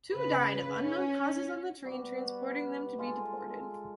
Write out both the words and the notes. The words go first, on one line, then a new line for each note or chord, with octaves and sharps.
Two died of unknown causes on the train transporting them to be deported.
C#3 B4
C#4
G3 B3 F#4 G4
G#3 F4 A4